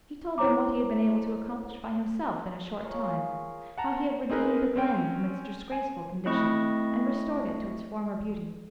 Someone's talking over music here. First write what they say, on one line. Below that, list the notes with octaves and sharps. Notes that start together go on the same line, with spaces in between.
He told them what he had been able to accomplish by himself, in a short time; how he had redeemed the glen from its disgraceful condition and restored it to its former beauty.
E4 C5 C#5 A#5 D6
F4 G#4 A#4 C#5
F#5 A5 A#5
C4 D#4 G#4 A#4 B4
C4 C#4 G5
G#5
A3 C4 E4 D#5 C#6